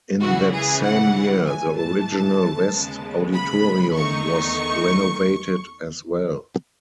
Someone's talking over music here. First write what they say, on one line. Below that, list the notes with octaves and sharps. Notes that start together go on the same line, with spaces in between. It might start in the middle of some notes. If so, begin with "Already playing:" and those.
In that same year, the original west auditorium was renovated as well.
C#2 C#3 E3 F#4
G#4
F#5
A1 G#2 E3 A3 G#5
A5
D#2 C#3 G#3 B3
B5
E2 D#3 A3 D#4 C#6